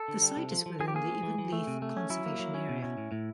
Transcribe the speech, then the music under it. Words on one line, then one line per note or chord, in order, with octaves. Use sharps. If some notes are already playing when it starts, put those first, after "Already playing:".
The site is within the Inverleith conservation area.
Already playing: A4
D3
G3
C3
F3
F3
F3 G#4
G4
A#3 G#4
F3
E3
E3
A3
C3
A3
C#4
F#3 E4
A#3
F#3
C#4
B2
C#4
A2
A2